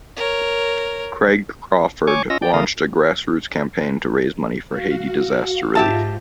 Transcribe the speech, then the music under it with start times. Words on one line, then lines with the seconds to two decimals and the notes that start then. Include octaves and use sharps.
Craig Crawford launched a grass roots campaign to raise money for Haiti disaster relief.
0.17 A#4 C#5
2.07 C#5 G#5 C#6 D6
2.30 C#4 F4 D#5 E6 A#6
2.42 D5 G5
2.54 D3 A3 A#4 F5 D#6
4.69 F#4 F5
5.75 G#2 F4 G4 E5 A5 A#6